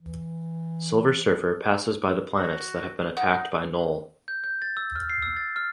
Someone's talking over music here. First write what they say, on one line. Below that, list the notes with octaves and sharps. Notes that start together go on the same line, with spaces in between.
Silver Surfer passes by the planets that have been attacked by Knull.
E3
F#4
D#4 F#5
G6
G6
A6
E6
F6
C7
E6
A6
F6